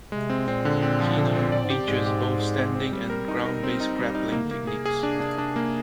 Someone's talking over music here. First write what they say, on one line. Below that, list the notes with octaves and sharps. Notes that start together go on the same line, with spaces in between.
Qinna features both standing and ground-based grappling techniques.
C3 G#3
C4
A#2 C4
D3
C4
F3
D3
C4
A#2 D5
G#2
G4
G#2 G#3
G4
G4
G#3
C4
C4
G3
A#4
D#4
A#4
C4
D#4
G3
D#4
C3 A#3
D3
C3 A#3
G#4
G#4
D4
D4
D4
A#3